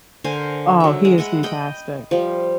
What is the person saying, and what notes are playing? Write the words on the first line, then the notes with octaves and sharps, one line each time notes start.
Oh, he is fantastic.
D3 A#4 C5 G#5
F#3 E5
G#3
D#5 E5 F#5 B5
D#5 G5 B5
F3 G3